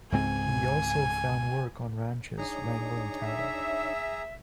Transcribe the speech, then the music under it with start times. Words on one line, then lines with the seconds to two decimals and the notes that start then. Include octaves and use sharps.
He also found work on ranches wrangling cattle.
0.12 C#2 G#2 C4 G#5
2.38 D4 D#4 G#4 C#5 A#5
3.23 E5